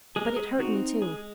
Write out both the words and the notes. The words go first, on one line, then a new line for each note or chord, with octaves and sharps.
But it hurt me, too.
G#3 G#4
A#4
G#4
C4 D#4 F#4
G#3 G#4